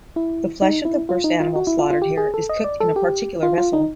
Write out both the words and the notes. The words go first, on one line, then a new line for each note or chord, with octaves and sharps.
The flesh of the first animal slaughtered here is cooked in a particular vessel.
E4
D#4
E4
F4
D#4
F4
F#4
E4
F4
F4
G4
G#4
A4
D#5
D5
A4
G4
F4
F4
D#4